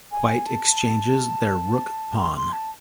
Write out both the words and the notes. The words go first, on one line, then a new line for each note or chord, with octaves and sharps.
White exchanges their rook pawn.
G#5
A5
C6
C6
A5